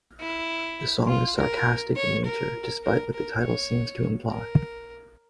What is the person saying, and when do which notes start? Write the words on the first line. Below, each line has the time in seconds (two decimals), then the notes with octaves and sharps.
The song is sarcastic in nature despite what its title seems to imply.
0.20 E4
1.08 F4
1.38 A#4
1.96 C#5
2.25 A#4
2.84 A#4
3.13 A#4
3.43 C#5
4.31 A#4